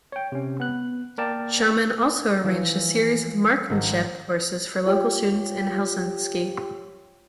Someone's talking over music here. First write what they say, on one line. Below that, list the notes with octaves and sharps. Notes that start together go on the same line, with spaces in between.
Schauman also arranged a series of marksmanship courses for local students in Helsinki.
C#5 G5
C3 C#4
B3 F#6
A#3 A#4 D5 G5 A5
E3 F3 E4
G#1 A#4 A#5
F4 G4 C#5 G5